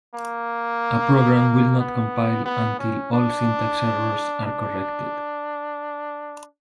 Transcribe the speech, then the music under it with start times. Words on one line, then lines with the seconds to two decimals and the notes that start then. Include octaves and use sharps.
A program will not compile until all syntax errors are corrected.
0.14 A#3
1.80 B3
2.45 B3
2.79 C#4
3.12 D4
4.46 D4